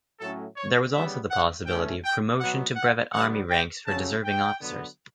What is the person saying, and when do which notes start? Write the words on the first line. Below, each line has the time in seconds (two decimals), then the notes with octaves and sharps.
There was also the possibility of promotion to brevet army ranks for deserving officers.
0.19 A2 F#3 A3 C#4 A4
0.57 C#5
0.93 C#3 G3 B3 E5
1.30 F#5
1.66 E3 A3 C#4 G5
2.04 G5
2.39 B2 F#3 B3 F#5
2.76 F#5
3.14 D3 G3 B3 F#5
3.50 G5
3.87 C#3 F#3 A3 C#4 A5
4.24 G5
4.60 D3 F#3 B3